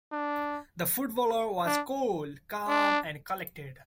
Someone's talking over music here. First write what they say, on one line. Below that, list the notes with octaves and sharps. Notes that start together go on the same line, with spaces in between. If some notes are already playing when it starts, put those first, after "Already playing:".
The footballer was cool, calm and collected.
D4
D4
D4